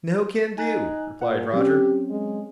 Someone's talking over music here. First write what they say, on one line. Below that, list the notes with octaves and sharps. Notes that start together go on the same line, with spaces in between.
"No can do," replied Roger.
D#4 G#5 A#5 F#6
A#2 F#5
F#3 C4 C#4 G4
G#3